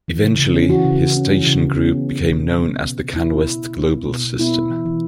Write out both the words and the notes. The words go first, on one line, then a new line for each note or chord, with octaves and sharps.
Eventually, his station group became known as the Canwest Global System.
E3
C#3
C#3
C#4
E3 F#4
C#3
C#3
C#4
E3
C#3
C#3
C#4
B3
B3
B2
B2
B3
B3
B2
B2
B3 E4
B3
B2
B2
B3
B3
B2
B2
B3 E4
B3
E3
E3